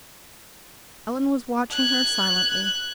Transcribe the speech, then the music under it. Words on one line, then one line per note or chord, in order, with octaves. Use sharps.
Ellen was watching her silently.
F#6 G#6